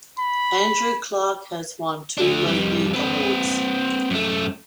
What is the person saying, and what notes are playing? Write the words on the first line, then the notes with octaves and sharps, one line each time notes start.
Andrew Clarke has won two Logie Awards.
B5
A3 D4
F2 G3
C4 B4
F#2 A3